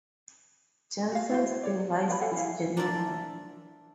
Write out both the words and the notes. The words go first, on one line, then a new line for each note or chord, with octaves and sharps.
Jensen's device is general.
F#4 F5
E4 F#4 C5
C#5 D5
F4 B4 G5 B5
A4 F5 F#5 G#5
E4 F5 G#5
D4 A#4 C5 D5 E5